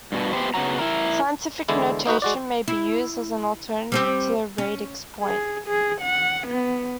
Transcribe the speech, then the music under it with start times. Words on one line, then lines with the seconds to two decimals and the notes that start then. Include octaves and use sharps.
Scientific notation may be used as an alternative to the radix point.
0.12 G2 B2
0.33 B3 G4 C5
0.54 C#3 B3 C#4 F#4 A#5
0.79 E4 A#4
1.68 E2 D3 G#3 E4
2.06 A#3 D#4 F#4 B4
2.22 G#3 F#4 D5
2.68 E4
3.92 G3 C4 G4
4.58 C#4
5.23 G#4
5.67 G#4
6.02 F#5
6.47 B3